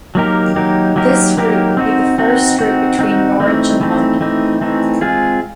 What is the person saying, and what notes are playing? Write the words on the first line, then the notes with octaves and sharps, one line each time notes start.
This route would be the first route between Norwich and London.
F#3 A#3 D#4 G4 A#4
F#3 A#3 D#4 G4 A#4
F#3 A#3 D#4 G4 A#4
F#3 A#3 D#4 G4 A#4
C4 D#4 F#4
C4 D#4 F#4
C4 D#4 F#4
C4 D#4 F#4
E3 A3 C4 D#4
E3 A3 C4 D#4
E3 A3 C4 D#4
E3 A3 C4 D#4
G#3 C4 F4 G#4